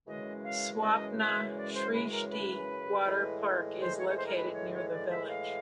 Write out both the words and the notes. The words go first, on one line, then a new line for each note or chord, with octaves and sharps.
Swapna Shrishti Water Park is located near the village.
F#2 C#3 E3 G#3 D#5
F5
D#5
E5
D5
C5
B4
A#4
B4
A2 E3 G#3
C5
C#5
C#5
C5
A#4
B4
C#5
C#5
D5
E5
F5